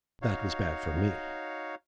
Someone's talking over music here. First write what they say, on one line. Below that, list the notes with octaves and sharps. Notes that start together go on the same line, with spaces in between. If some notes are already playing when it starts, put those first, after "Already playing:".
That was bad for me.
D#4 F#4 C#5 F5